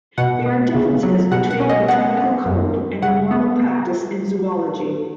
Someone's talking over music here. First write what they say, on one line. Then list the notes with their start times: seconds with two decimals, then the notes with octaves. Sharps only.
There are differences between the botanical code and the normal practice in zoology.
0.18 B2 F#5
0.46 B3
0.75 C#3
1.03 F#3
1.32 B2 F#5
1.51 F#5
1.60 C#4
1.69 D#5
1.88 B3 F#5
2.17 B3
2.45 F#2
2.74 F#2
3.02 C#3 F#5
3.31 B3